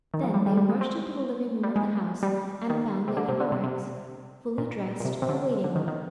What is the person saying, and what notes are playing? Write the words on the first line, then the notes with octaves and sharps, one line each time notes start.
Then they rushed into the living room of the house and found Lady Aurex, fully dressed, awaiting them.
D#3
F3
G3
G3
G3
G#3
C4
G3
G#3
G3
D#3
C3
D3
C3
D3
C3
C3
A#2
A#2
C3
C3
D3
D3
D#3
D#3